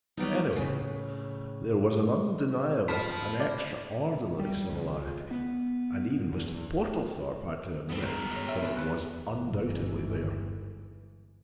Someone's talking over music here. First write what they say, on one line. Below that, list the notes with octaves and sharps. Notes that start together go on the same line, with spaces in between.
Anyway, there was an undeniable, an extraordinary similarity, and even Mr. Portlethorpe had to admit that it was--undoubtedly--there.
F#3 G3 B3 D#4
A2 C#3
F3 B5 F6 B6 D#7
D5
G3
C#2
B3
E2
G2 B3 C4 A4
E2 G2 B2 G#3 A#4
G#3 C#5
G4 E5
D4 B4
B3
G1 G#2 E3